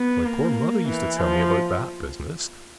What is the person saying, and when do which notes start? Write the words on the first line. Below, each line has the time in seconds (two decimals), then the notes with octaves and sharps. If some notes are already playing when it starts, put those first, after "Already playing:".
My poor mother used to tell me about that business.
Already playing: B3
0.25 A#3
0.89 E3
1.19 F3